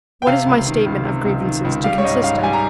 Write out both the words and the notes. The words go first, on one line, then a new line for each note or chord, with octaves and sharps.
"What is my statement of grievances to consist of?"
G5
C3 F5
C#2
D#3
C#2
C3
C#2
D#3
C#2
G3 F5
C#5
G#2 D#5
G#2 F5
G3 G#5
A#5